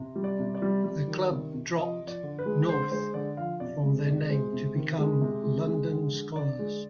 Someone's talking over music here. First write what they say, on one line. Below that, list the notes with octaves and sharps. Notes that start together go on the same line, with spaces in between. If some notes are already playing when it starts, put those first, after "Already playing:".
The club dropped "North" from their name to become "London Skolars".
Already playing: C3
G3
D5
C3
D5
G3
G3
D#3
C3
C3
F3 D#5
F3
D5
D3
B4
G#3
D3 C5
G#3 C5
D3 D5
F3 F5
C3 D5
G#3
C3 D5
G#3 C5
C3
D#3
G#3
C3
G#3
G#3
D3
D3
D3 D5
G#3